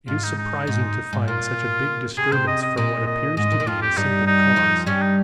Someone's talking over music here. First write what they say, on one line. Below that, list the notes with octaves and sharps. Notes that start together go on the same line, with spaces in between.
It is surprising to find such a big disturbance from what appears to be a simple cause.
G#2 F4
D#4
D#4
G#2
G#2
A#2 F4
C3 G#4
C3 C5
D#5
D#5
A#2 D#5
D#5
G#2 D#5
A#2
D#3
F2 F3 F4
G4
G2 G3 D#4
D#4
F2 F3
G2 G3 C#4
D#4